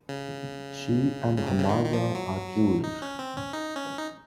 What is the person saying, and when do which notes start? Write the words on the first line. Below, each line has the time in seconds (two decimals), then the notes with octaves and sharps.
She and her mother are Jewish.
0.09 C#3
1.37 C#3
1.46 C3
1.60 C#3
1.69 D#3
1.85 D#3
1.93 F3
2.15 F#3
2.84 D#4
3.02 C#4
3.19 C4
3.36 C#4
3.53 D#4
3.76 C#4
3.99 D#4